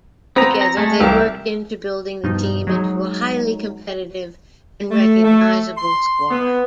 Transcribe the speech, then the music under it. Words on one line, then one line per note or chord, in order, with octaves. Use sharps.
Together, they worked into building the team into a highly competitive and recognizable squad.
B3 C4 A#5
A#5
G#3 A3 A4
C2 G4 A#4 E5
G2 B2 F3 D#4
F#3 G#3 D#4
A3
A3
C6
B3